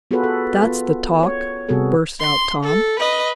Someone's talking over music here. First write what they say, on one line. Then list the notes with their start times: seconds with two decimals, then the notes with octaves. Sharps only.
"That's the talk!" burst out Tom.
0.11 B3 F4 F#4 G#4 A4 B4
0.24 A4
0.63 B3 F4
1.23 C#5
1.69 C3 G3 B3 F#4 G#4 A4
2.20 C6
2.63 A4
2.99 B4 D#5